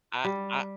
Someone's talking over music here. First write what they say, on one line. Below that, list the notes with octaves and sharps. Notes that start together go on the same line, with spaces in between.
I I
G3